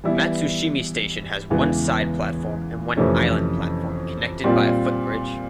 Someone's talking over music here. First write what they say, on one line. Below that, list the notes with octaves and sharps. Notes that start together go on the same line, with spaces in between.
Matsushima Station has one side platform and one island platform connected by a footbridge.
E3 G3 B3 E4
E2 C#3 E3 G#3 B3
F2 C3 E3 A3 C#4
A#2 G3 C4 F4